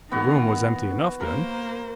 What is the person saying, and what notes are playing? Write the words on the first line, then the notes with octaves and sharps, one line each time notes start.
The room was empty enough then.
D#3 A#3 B3 F#4
A#3 A#4 C5